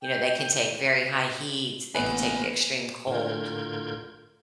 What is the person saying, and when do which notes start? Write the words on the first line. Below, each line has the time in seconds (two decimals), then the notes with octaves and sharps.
You know, they can take very high heat, they can take extreme cold.
0.02 G5
1.95 A1 A#3 B3 B4 G#5
2.36 B4
3.07 A2 D3 F4 A#4 G6 G#6